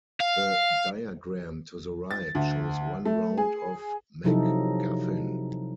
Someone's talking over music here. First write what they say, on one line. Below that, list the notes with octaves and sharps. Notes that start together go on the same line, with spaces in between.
The diagram to the right shows one round of MacGuffin.
F5
A6
D2
A3
G#4
C3 F3 F#3 D#4 E4 A4